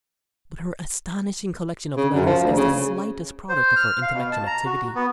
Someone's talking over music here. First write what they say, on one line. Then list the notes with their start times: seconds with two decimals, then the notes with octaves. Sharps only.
But her astonishing collection of letters is the slightest product of her intellectual activity.
1.97 C#3
2.15 F#2
2.27 F3
2.44 D2
2.57 C#3
3.49 C5
3.76 F6
4.02 F5
4.14 B2
4.32 A5
4.47 A#5
4.66 F#4
4.95 B3